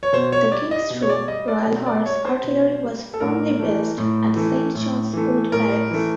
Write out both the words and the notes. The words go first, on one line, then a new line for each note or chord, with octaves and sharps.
The King's Troop, Royal Horse Artillery was formerly based at Saint John's Wood Barracks.
C#5
B2 C5
C#5
G3 D5
D#5
B2
C#5
D5
G3 D#5
D5
B2
D5
G3 C#5
C5
B2
G3
A4
A2 A#4
E3 A3
A2
E3 A3
A2
E3 A3
A2 A#4
E3 A3